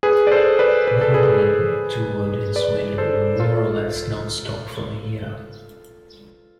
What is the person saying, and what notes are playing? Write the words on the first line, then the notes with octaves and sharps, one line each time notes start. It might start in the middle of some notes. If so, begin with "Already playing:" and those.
Nordman toured in Sweden, more or less nonstop for a year.
G#4 B4
D5
A4 C5
B4 D5
B4
A4
G#4 B4
B4 D5
A4 C5
F4 A4